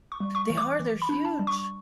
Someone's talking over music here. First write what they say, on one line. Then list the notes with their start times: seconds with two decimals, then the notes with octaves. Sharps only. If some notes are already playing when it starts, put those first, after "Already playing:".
They are, they're huge.
0.12 C#6
0.20 G3
0.35 C#6
0.50 E3
0.57 D6
0.79 E3
1.02 B5
1.09 D4
1.25 A5
1.39 G3
1.47 C#6